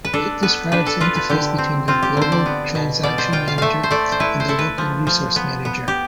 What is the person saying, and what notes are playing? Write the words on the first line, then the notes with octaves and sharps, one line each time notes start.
It describes the interface between the global transaction manager and the local resource manager.
B4
D4 A4
B3 B4
D4 B4
A4
F4 B4
B4
D3 G4
C4
C4 F4
G4
D3 C5
D5
B3
B2
B2 D5
C5
F4 G5
F5
A3 E5 F5
C5
A3 D5
C5
E4 B4
C5
E4 A4
B4
F3
F3
B3
B3
G4